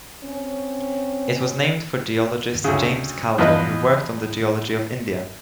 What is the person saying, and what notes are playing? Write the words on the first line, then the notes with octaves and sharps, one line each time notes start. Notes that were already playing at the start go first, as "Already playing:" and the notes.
It was named for geologist James Calder who worked on the geology of India.
C4 C#4
D2 C#3
E2 F3 F4 B4 D#5